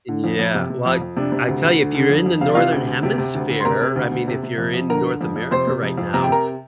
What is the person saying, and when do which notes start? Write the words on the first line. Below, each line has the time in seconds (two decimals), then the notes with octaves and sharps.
Yeah, like, I tell you, if you're in the Northern Hemisphere, I mean, if you're in North America right now,
0.09 D3
0.24 F2
0.39 F2
0.54 C3
0.70 C3
0.86 F2
1.01 F2
1.16 C3 D4
1.32 C3
1.48 D2
1.63 D2
1.79 D3
1.95 D3
2.09 F2
2.26 F2
2.41 C3 F5
2.49 D5
2.55 C3 F4 F5
2.72 D2
2.87 D2
3.03 C3 G4 G5
3.18 C3
3.35 D2
3.50 D2
3.60 C6
3.65 C3 A#4 A#5
3.81 C3
3.96 D2
4.12 D2
4.28 C3
4.43 C3
4.58 F2
4.73 F2
4.90 D3 A#4 A#5
5.05 D3
5.21 F2
5.36 F2
5.51 C3 C5 C6
5.67 C3
5.82 F2
5.97 F2
6.14 C3 A#5
6.22 G5
6.29 C3 A#4 A#5